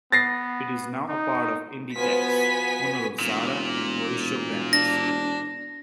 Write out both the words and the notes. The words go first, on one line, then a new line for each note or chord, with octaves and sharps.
It is now a part of Inditex, owner of Zara and Oysho brands.
B3 A6 A#6 C7
D#4
B2 F3 B3 G#5 B6
E1 A#2
D4 A#6